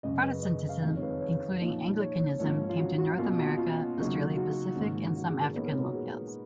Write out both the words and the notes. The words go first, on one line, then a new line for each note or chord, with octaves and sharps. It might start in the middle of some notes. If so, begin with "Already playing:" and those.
Protestantism, including Anglicanism, came to North America, Australia-Pacific and some African locales.
F#2 C#3 G#3 D#5
B4
D#5
F5
F2 D#3 G#3 D#4 F5
C#5
B4
C#5
A#2 F3 A#3 D#4
C#5
G#2 F3 A#3 C#4 C#5
F4
F#4
F#4
B2 A#3 C#4 F4
F#4
F4
C#3 F#3 A#3 D#4
F#4
G#2 D#3 A#3 C#4
F#4
G#4
A#4
A#2 G#3 B3 D#4 C#5
A#4
B4
F#4
G#4